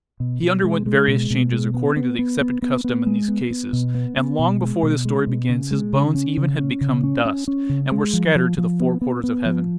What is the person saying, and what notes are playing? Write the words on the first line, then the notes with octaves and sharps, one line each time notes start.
He underwent various changes according to the accepted custom in these cases, and long before this story begins his bones even had become dust, and were scattered to the four quarters of heaven.
B2
B2
G#3
G#3
B2
B2
G#3
B3
B3
B3
B3
B3
B3
G#3
B3
B3
B2
B3
B3
B2
G#3
B2
G#3
B2
C#3
G#3
C#3
C#4
C#3
C#4
C#3
C#4
C#4
C#4
C#3
G#3
F3
F3
F3
B3
B3
B3
F3